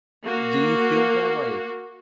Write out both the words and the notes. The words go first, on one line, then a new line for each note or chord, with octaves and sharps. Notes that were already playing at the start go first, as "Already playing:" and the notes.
Do you feel that, like,
A#3 F#4